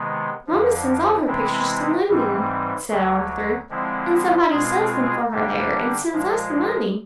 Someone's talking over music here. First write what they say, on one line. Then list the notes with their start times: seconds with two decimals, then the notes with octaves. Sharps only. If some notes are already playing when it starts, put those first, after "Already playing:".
'Mamma sends all her pictures to London,' said Arthur; 'and somebody sells them for her there, and sends us the money.'
Already playing: C3 D#3 G#3 B3
0.47 F2 D3 F3
1.27 C3 E3 G#3 C4 E4
2.08 G#2 E3 G3 C4
2.88 D2 D3 F#3
3.69 D3 F3 G#3 C4 E4
4.50 B2 G#3 C4 F4 G#4
5.31 D3 G3 A#3 D4 G4
6.12 A#2 F3 G#3